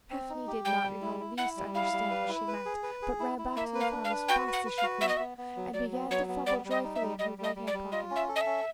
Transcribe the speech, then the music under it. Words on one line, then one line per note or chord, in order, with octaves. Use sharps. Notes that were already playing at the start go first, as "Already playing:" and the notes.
Tephany did not in the least understand what she meant, but ran back to the farm as fast as she could, and began to fumble joyfully in her right-hand pocket.
C4
D#4
G4
G3 G5
G3
E4
E4
E4 F#5
G3
E4 F5
G3
B4
E4
B4
G#4
B4
G#4
E4
E4
A#3 E5
B4
F5
D4
F5
B4
F#4 G5
B4
F#5
B4
F5
F#4
B3 E5
D#5
B3 E5
B3
F#3
F#3 D5
B3
F#3 C#5
B3
G3 D5
G3
D#5
D#4
E5
G3
G3 D#5
G3
D#5
G3
D5
G3
F4 D#5
C#4
E5
A4
D#5
E5
C#4